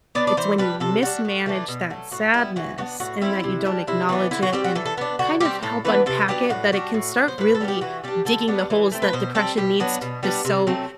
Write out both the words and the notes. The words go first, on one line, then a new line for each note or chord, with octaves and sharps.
it's when you mismanage that sadness, and that you don't acknowledge it, and kind of help unpack it, that it can start really digging the holes that depression needs to sow
B3 D4 D5
D5
E3 C5
G3 D4 B4
C3 A4
G3 D4 F#4
A2
E3 A3 D4
B2
F#3 A3
A2 F#4
G3 B3 E4
E3 F#4
B3 D4 F#4
A2 F#4
G3 C4 E4
C3
G3 D4
C3 E4
E3 B3 D4 F#4
D3 E4
F#4
G3 C4 G4
F#4
E3 A4
A4
B3 D4
D3 F#4
G3 C4 G4
A2 A4
E3 B3 D4 B4
C3 A4
F#3 B3 D4 G4
A2 F#4
G3 D4 F#4
A2
F#3 B3 D4
C5
A2 B4
A4
G3 B3 D4
G4
E3 F#4
G3 D4 G4
D3 A4
G3 B3 D4
E3
A3 C4
B4
B2 C5
G3 C4 A4
B2 G4
F#3 B3 D4
B2
G3 B3 D4
C3
F#3 A3 C4